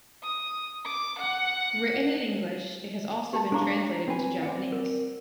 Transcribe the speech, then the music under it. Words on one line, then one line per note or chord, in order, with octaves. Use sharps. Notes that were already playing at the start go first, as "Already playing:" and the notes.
Written in English, it has also been translated into Japanese.
D#6
D6
F#5
G4 A5
D4 G#4 C#5 F5 A#5 D6
C4 B4 G#5
C4 D5 F#5
A#4